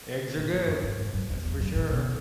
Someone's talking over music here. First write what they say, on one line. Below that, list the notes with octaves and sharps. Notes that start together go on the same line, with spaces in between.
Eggs are good, that's for sure.
A2
G#2
F#2
G#2
G#2
F#2
E2
E2
F#2
A2
B2